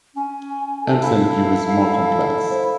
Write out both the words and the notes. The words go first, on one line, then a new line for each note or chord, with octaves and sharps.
Empson's view is more complex.
C#4 G#5
A4
E4 F5
C5